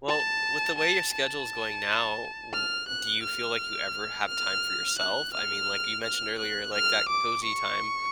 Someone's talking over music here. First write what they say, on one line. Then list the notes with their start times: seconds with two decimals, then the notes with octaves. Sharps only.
Well, with the way your schedule is going now, w do you feel like you ever have time for yourself? I mean, like you mentioned earlier, like, that cozy time
0.08 A5
0.78 A5
1.14 A5
2.54 F6
2.89 F#6
3.23 F6
4.29 F6
4.99 F#6
5.34 F6
6.04 F6
6.39 F#6
6.74 F6
7.09 D6
7.44 C#6